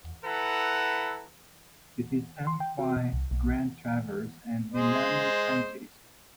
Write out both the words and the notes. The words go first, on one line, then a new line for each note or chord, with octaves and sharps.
It is owned by Grand Traverse and Leelanau counties.
E4 A4 B4 F#5 A#5
C6
G5
F#4
B2
C2
B1
G#3 C5 D#5